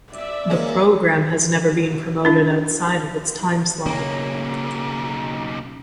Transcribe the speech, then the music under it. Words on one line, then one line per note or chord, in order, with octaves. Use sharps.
The program has never been promoted outside of its timeslot.
D5 E5
G#3 A#3 C#4
D4 E4
B1 C#3 A#3